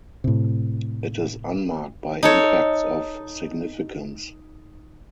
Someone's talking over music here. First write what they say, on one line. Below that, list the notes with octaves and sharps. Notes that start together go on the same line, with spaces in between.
It is unmarked by impacts of significance.
A2 C3
D#4 A4 C#5